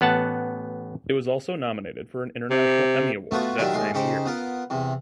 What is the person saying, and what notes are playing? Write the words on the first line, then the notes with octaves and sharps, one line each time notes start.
It was also nominated for an International Emmy Award that same year.
A1 B3 F#5 A5
C3
A3 B3 F4 F#4
A#2 D#3 F#3 D4 E4 G4
D#2 A2 G#3 C6
C#3 D#4 G4 C5
B3 F4 A#4
E2 C3